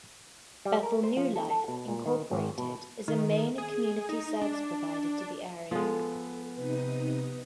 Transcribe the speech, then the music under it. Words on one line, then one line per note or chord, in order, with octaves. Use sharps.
Bethel New Life, Incorporated is a main community service provider to the area.
G3
A#4
C5
F3
A4
A4
B2
A#2
D#3
G#1
B2
D#3
G#4
D#4
D4
F3 G#3 B3 A4
C3 D#4 B4 D#6